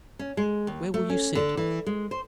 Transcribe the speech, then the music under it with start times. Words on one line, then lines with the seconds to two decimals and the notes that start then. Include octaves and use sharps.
Where will you sit?
0.19 C#4
0.37 G#3
0.67 D#2
0.94 A3
1.10 C#4
1.35 D3
1.57 E3
1.86 G#3
2.11 C5